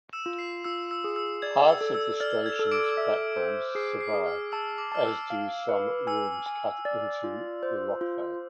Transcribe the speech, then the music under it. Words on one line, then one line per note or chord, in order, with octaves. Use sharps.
Parts of the station's platforms survive, as do some rooms cut into the rockface.
E6 E7
F4
C7
F4 E6
E6
G#4
E6
D5 G#6
E6
A4
E6
D5 F6
G#6
A4
D6 D7
E5
C5
G#4 C7
C7
G#4
F6
A5 E6
D6
A5 F6
E6
F5
B4
G#5 E6
G#5
D5
F4
C5
F4